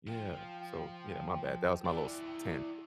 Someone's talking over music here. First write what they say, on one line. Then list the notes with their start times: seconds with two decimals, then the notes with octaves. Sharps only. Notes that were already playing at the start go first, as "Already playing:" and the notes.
Yeah. So, yeah, my bad. That was my little s tangent.
0.08 F3 F4 G5
1.85 E4 D5